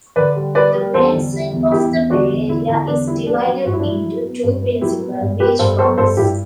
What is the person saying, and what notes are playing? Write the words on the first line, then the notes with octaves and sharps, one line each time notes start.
The main sweep of the bay area is divided into two principal beachfronts.
D3 B4 D5
G3
G3 B4 D5
G3
E2 A4 C5
D3
G3
E2
E2 E4 G4
E2
D3 D4 F#4
E2
D3 E4
D3 E4
E2 D4
G3 E4
B3 D4
F#3
G2 F#4
E4
D4
F#3 E4
F#3
B3
G2
B3
F#3 E4 G4
B3
G2
B3 G4 B4
G2 A4 C5
B3 A4 C5
G2 A4 C5
G2 E4 G4